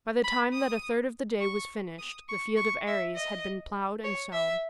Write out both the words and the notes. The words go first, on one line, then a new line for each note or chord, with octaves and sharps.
By the time that a third of the day was finished the field of Ares had been plowed and sown.
B5
D#6
C#6
D#6
C#6
C#6
E5
D#5
C#5
E5